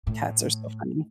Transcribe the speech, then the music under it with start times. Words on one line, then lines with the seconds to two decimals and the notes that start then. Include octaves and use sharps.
Cats are so funny.
0.07 A2